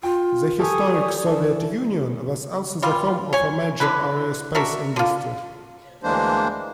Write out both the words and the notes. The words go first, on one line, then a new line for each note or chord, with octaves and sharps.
The historic Soviet Union was also the home of a major aerospace industry.
F4 G5
G4 A4 G#5 C#6 D#6
D5
E3 A4 A5
E3 G3 F4
C#5 G#5
D3 G#3 E4 B4
D4 F#4 A#4 E5
D3 F4
D2 E3 G#3 A#3 D4 C5